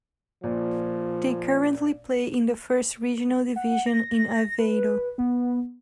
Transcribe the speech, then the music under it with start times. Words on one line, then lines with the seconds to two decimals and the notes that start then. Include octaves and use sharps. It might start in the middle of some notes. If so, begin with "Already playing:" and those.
They currently play in the First Regional Division in Aveiro.
0.44 A#2 F3
3.56 F#5
3.86 A#6
4.59 B4
5.18 B3